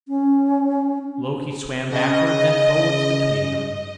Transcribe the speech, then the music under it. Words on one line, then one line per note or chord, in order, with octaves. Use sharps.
Loki swam backwards and forwards between them.
C#4
C#3 D#5